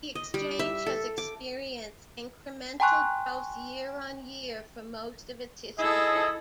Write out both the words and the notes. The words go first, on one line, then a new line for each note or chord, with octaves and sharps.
The Exchange has experienced incremental growth, year-on-year for most of its history.
D#5
G3
E5
A4
D6
G5 G#5 A#5 C6 C#6 F#6
E4 G#4 A4 D#5